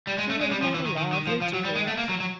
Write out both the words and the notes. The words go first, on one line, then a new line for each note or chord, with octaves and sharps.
She would have made a lovely Juliet.
G3
G#3
A3
G#3
G3
F3
E3
D#3
D#3
D#3
F3
F3
F#3
G3
G#3
A3
A#3
F#3
F#3